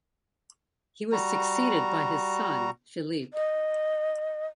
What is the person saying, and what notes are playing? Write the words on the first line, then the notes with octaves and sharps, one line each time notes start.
He was succeeded by his son, Philippe.
G3 F#4 A#5
D#5